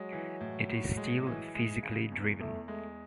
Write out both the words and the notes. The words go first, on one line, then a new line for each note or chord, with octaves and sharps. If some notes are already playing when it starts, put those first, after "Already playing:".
It is still physically driven.
Already playing: F#3 G#3
E3
A2
A2
G#3
E3
G#3
C#3
E2
E2 A3
G#3 A3